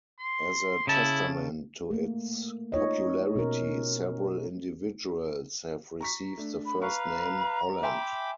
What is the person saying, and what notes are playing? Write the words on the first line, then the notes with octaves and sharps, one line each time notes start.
As a testament to its popularity, several individuals have received the first name "Holland".
C6
C#3 E4 A5
A3 A#3
D#4 F4 C#5 D#5
B2 C#4 A#4
A#5 C#6 B6
A3 D4
B5
B4 F5 A#5 C#6
E5 G5 G#5 B5 C6 D6